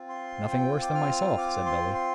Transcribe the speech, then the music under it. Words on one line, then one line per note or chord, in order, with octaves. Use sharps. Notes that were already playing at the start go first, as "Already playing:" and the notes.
"Nothing worse than myself," said Billy.
Already playing: C4 F4
C6
G5
D6
F6
D6
C6
C6